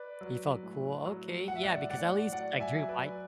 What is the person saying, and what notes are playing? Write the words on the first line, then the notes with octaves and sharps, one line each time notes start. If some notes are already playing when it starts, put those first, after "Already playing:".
You felt cool? Okay, yeah, because at least I dreamed, I
Already playing: B4 D5
F#3
A2
F#3
A2 F#5
E5
D5 F#5
A2 D5 F#5
F#3 D5 F#5
E5 G#5
F#3
B4 D5